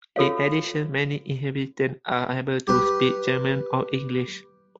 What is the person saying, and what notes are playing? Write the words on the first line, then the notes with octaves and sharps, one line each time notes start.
In addition, many inhabitants are able to speak German or English.
F4 A4 C#5 F5
G4 B4